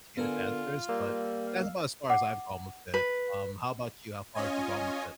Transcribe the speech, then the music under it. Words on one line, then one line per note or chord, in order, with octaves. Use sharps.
to get its answers, but that's about as far as I've gone with it. Um, how 'bout you? How far have you gone with it?
D3 B3 F4 A#4 G#5
G3 A#3 E6
F5
F#5 D6
B4
C#4 F4 C#5 D#5 G#5